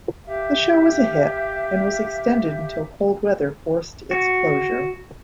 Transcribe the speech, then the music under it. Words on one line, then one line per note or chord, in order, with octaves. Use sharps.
The show was a hit and was extended until cold weather forced its closure.
G4 E5 F5
F#4